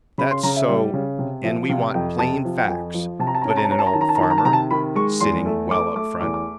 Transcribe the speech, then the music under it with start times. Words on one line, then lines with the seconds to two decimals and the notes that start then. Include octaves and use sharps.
"That's so--an' we want plain facts," put in an old farmer, sitting well up front.
0.18 C#3 B5
0.31 C6
0.43 C#3 A#5
0.56 E5
0.68 G3
0.94 C#3
1.19 C3
1.44 F3 E5
1.69 C3 F5
1.94 F2 G5
2.19 C3 A5
2.45 F3
2.58 G5
2.69 F2 G#5
2.94 F3
3.19 C3 A5
3.27 A#5
3.35 A5
3.42 A#5
3.45 C#4 A5
3.57 A#5
3.64 A5
3.70 C#4 A#5
3.79 A5
3.86 A#5
3.93 D#3 A5
4.01 A#5
4.09 A5
4.15 A#5
4.20 D#3 A5
4.30 A#5
4.38 A5
4.45 C3 A#5
4.53 A5
4.71 D#3 B5
4.95 G#3 C#6
5.21 E2 C6
5.46 A3
5.71 A3 D6
5.96 A3 D6
6.21 E2 D6
6.34 D6